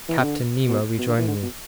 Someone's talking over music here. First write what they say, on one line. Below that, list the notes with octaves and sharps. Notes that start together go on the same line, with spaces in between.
Captain Nemo rejoined me.
E3
B2
D3
B2
B2
D3
E3
D3
B2